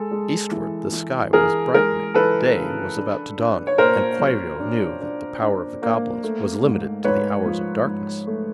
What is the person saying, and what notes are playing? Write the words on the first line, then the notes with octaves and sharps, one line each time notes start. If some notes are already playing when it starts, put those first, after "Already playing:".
Eastward the sky was brightening; day was about to dawn; and Kwairyo knew that the power of the goblins was limited to the hours of darkness.
Already playing: G#3 A4
G#3
E3
E3
E3 G#4 A#4
G#3 G#4 A#4
E3 A4 B4
C#3
D4
D4
C#5
A#2 A#4 C5
F#3
D4
D4
D4
A#3
A3
G#2
G#2 B4 C#5
F3
G#2
A3